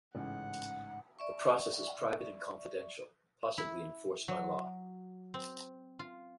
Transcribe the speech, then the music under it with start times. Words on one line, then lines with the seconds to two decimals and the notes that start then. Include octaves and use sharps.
The process is private and confidential, possibly enforced by law.
0.15 A1 G#2 C#3 F#5
1.19 D5 E5 C#6
3.58 E4
4.28 F#3
5.34 C4
5.99 F4